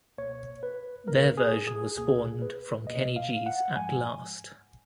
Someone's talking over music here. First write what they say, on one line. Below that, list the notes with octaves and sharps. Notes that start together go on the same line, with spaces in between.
Their version was spawned from Kenny G's At Last...
C#2 B2 A#3 C#5
B4
C#2 B2 A#3 A#4
G#4
G#4
C#2 B2 A#3 G#4
B4
C#2 B2 A#3 D#5
F5
F#5
G#2 F3 G#3 G#5